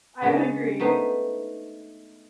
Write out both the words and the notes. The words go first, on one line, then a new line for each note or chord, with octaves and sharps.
I would agree.
C#3 G#3 D4
A3 B3 D#4 B4 C5